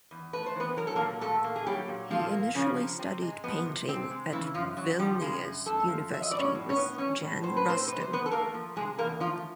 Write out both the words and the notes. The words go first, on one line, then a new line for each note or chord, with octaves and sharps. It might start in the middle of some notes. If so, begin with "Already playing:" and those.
He initially studied painting at Vilnius University with Jan Rustem.
E2
A3 B4
C5
E3 B3 B4
F#3 A#4
A4
A#3 A#4
A#2
A#2 A3 A4
A#3
G#4
F#3 G3 G4
A#2
A#2 F3 F4
A#3
C#3 F3 C#4
C3
C3 C4
G#3
F3 B3
C3
C3 C4
G#3
C#3 E3 E4
F#2 F3 F4
F#2 F#3 F#4
F3 G3 G4
C#3 G#3 G#4
F#2
F#2 A3 A4
F3
F#3 E5
D#5
A2 D5
C#4 C#5
A2
C#4 C#5
B3
F#3 C#4 C#5
A2
A2 C5
B4
B3
C4 C5
C3 B4
C5
E2 B3 B4
A4
A3 A#3 A#4
F3
C3 G#3 G#4
E2 A#3 A#4
F3 A3 F4